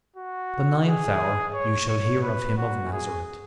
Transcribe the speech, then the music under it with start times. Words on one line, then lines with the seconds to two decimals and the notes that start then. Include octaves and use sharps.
At the ninth hour, you shall hear of Him of Nazareth.'
0.16 F#4
0.85 G#4
1.54 C#5
1.89 C#5
2.23 B4
2.58 F#4
2.92 G#4